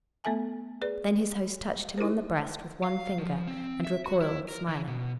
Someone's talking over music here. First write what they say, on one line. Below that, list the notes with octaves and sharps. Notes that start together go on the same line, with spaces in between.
Then his host touched him on the breast with one finger, and recoiled, smiling.
A3 B3 A4 E5 G#5 A5
G#4 B4 D5
D#4 E4 G4 A#4 C5
F5
F3
C4
E5
F#4
E4
A#4
E3
B2